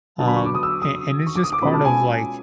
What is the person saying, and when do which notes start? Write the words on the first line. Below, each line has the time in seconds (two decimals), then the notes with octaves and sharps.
um, a and it's just part of, like,
0.19 D3 F#3 B3 D4 A5
0.27 B5
0.36 C#6
0.45 D6
0.55 D#6
0.63 E6
0.82 D#6
1.26 C#6
1.35 D6
1.44 D#6
1.53 D6
1.61 B2 G#3 C#4 F4 B5
1.73 A5
1.85 G#5